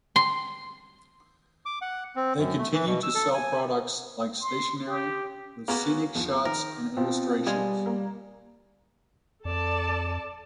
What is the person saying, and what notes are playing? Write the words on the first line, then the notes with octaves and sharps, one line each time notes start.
They continue to sell products like stationery with scenic shots and illustrations.
C6
D6
F#5
C4
F#2
A3
E3
B2
E6
A4
G#5
C6
G4
A#3 B3 C#4 F#4 G#4
E2 F3
D#3 A#4
B2 C4 F4
G3 G#3 F4 G#5
A#3
F2 A4 D5 A5